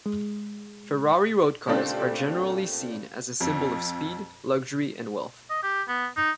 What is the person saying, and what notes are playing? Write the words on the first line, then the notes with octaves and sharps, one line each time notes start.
Ferrari road cars are generally seen as a symbol of speed, luxury and wealth.
G#3
A#2 C#3 A3 C4 D4 G4
F2
D#5
G4
B3
D#4